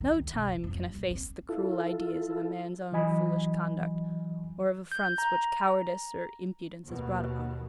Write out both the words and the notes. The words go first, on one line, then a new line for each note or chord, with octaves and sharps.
No time can efface the cruel ideas of a man's own foolish conduct, or of affronts, which cowardice or impudence has brought upon him.
D#3
C#2
B2
E1
F2
G2
A#2
C4
E4 F4 A4
E3 F#3 D#5 G#5 B5
G6
A#5
D#2 B2